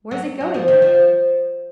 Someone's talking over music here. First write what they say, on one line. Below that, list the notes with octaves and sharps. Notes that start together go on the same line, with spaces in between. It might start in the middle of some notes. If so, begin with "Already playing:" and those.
"Where is it going then?"
F#3
F#3
F3
D#3
F3